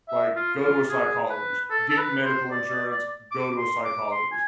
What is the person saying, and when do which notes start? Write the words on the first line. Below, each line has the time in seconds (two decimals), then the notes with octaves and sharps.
Like, go to a psychologist, get medical insurance, go to a psychologist.
0.09 E5
0.36 F4
0.63 F4
0.89 G#4
1.30 B4
1.70 A4
1.89 A4
1.97 B4
2.24 C5
2.51 D5
2.70 D5
2.91 D5
3.31 D6
3.58 C6
3.85 D6
4.12 C6
4.32 G#5